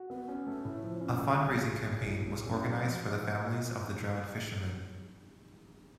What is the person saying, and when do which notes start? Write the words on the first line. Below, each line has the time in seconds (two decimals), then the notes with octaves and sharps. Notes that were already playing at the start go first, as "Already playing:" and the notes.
A fundraising campaign was organised for the families of the drowned fishermen.
Already playing: F#4
0.10 B3
0.28 C#4
0.46 A3
0.65 A2
0.83 F3
1.01 C#4
1.19 A3
1.37 B1
1.55 G#3
1.74 B1
1.92 A2
2.09 B1
2.28 G#3
2.46 C#4
2.64 F#3
2.83 F2